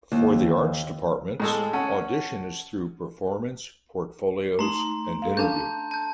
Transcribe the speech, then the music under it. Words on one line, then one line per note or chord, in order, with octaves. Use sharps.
For the arts departments, audition is through performance, portfolios, and interview.
D#2
A2 G#3 G#4 A4
C#4 F#5 A5
A3 D#4 A#5 C6
A4 F5
C#4 D4 F5 A5 G6
A5 G6